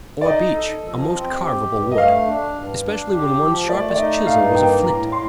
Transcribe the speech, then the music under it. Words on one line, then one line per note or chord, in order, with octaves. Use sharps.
Or beech--a most carvable wood. Especially when one's sharpest chisel was a flint.
D5
D#4 D#5
A4
F3
C4
G4
G2
D#5
A3 F5
D4
G2
D4
G4
F3
A3 D5
D5
D#4 D#5
G2 F5
A#3 G5
A2 A#5
A2 C6